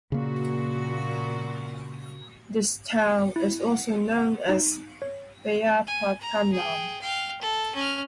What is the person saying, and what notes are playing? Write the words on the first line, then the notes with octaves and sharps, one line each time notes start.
This town is also known as Balyapattanam.
A#2 C#3 A#3 F#4
E4
F#5
F#5
D#4
C#5
G#5
A#5
G#4 G5
F5 G5
A4
C#4 F6